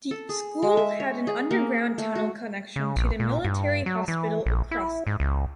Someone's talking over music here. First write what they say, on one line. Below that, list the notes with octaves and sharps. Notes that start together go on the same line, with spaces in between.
The school had an underground tunnel connection to the military hospital across it.
A4
G#4
G#3
E5
C#5
G#4
A#3
A3
F#4
C#3
A#1
A#2
G2
F#3
E3
A#1
E4
G#2
C#2